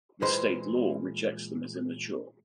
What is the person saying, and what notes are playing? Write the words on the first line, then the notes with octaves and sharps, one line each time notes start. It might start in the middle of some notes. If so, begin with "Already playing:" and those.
The state law rejects them as immature.
A#2 E3 G#3 B4 C5 G5